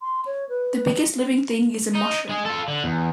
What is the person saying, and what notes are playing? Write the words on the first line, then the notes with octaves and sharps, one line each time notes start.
The biggest living thing is a mushroom.
C6
C#5
B4
D#4
G#3 G#4
F4 A4
D3
E2